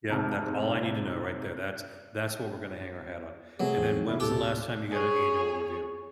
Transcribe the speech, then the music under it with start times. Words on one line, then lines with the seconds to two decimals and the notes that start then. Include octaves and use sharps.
Yeah. That's all I need to know right there. That's that's what we're gonna hang our hat on. And then when was the last time you got an annual review?
0.10 F1 G#2 C3 A5 F6
3.60 C3 F#3 A3 B3 G#4
3.78 E2 C4
4.07 D3 E4
4.20 D2 A2 C3 G4 A4
4.90 G#4 C#5